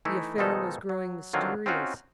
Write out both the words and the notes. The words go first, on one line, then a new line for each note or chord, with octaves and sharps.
The affair was growing mysterious.
E3 A3 D#4 E4
B2 D#3 F3 G#3 D#4 A4
F#3
D3 D#3 F#3 C4 F4
C4 C#4 D#4 F4 F#4